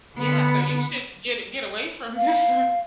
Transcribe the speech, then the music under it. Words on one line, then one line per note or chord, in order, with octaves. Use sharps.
Yeah, so you should get get away from this
D3 B3
F5